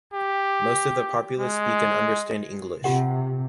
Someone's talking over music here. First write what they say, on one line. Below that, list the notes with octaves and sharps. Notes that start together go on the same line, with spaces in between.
Most of the populace speak and understand English.
G4
G#3
C3 F4 G4 F#5